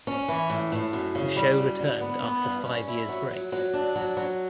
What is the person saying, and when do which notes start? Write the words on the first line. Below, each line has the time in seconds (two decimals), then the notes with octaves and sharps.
The show returned after five years break.
0.07 C#4
0.28 E3
0.50 A2
0.72 A2
0.93 F#2
1.15 C#3
1.36 G3
1.58 F#2
1.80 D3
2.01 B3
2.23 B3
2.44 G2
2.66 C#4
2.88 E4
3.09 F#3
3.31 F#3
3.52 F#3
3.73 D4
3.96 F#3
4.17 F#3